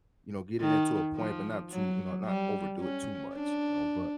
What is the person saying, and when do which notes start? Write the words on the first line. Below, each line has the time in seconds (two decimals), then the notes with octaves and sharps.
you know, get it into a point, but not too you know, not overdo it too much, you know, but
0.61 D#3
1.16 F3
1.70 F#3
2.25 G3
2.80 C#4
3.35 D4